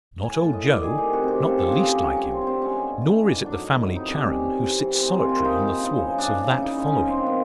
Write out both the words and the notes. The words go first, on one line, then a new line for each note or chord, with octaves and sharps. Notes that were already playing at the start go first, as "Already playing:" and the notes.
Not old Joe, not the least like him. Nor is it the family Charon who sits solitary on the thwarts of that following.
A2 G#5
A5
A2
D#5
A2
D5
D#3 G#4
G4
C3
F#4
C3 G4
C#3 A4
A4
F3
G#4
C#3
G4
G3 C#4
D3 C#4
C4
D3
C4
G#3 C#4
C#3
E3
D3 D4
F#3
D4 D#4
F#3
C3 E4
C3 D#4
D4
C3
C#4
E3
C3
E3
G#3 C4
C4
A#2
F4
G#3 E4
D#4
F3 D#4
E4
C#3 D#4
C#3
C#3 D4
C#3
E4
C#3 D#4
G#3 C#4
F3
C4
A#2
B3